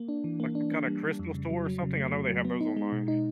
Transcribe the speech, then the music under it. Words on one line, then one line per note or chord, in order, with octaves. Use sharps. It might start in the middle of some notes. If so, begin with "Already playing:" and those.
Like, some kinda crystal store or something? I know they have those online.
Already playing: A#3
D4
E3
A#3
D4
A#3
G3
G3
F2
C#3
F#3
F#3
C#3
A3
F#3
F#3
B3
D#4
G#3
B2
D#4